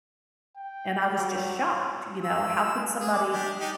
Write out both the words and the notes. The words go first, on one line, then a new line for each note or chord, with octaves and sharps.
and I was just shocked, you know, how could somebody
G5
F#3
E6
G#4
D6
D4 G4
D#4 G4